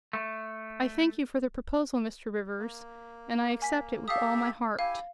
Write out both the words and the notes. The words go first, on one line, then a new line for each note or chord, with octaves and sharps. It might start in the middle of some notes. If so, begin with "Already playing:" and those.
"I thank you for the proposal, Mr. Rivers, and I accept it with all my heart."
A3
A#3
G#5 B6
G4 A4 E5 F5 D#6
E4 G4 F5 G#5